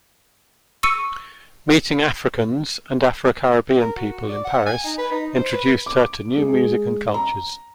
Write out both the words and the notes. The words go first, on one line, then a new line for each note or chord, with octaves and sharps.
Meeting Africans and Afro-Caribbean people in Paris introduced her to new music and cultures.
C#6 E6 C#7 D#7
A#4
F#4
D5
F#5
G#5
D#4
B4
D#4
C5
B4
D6
G#3
A#5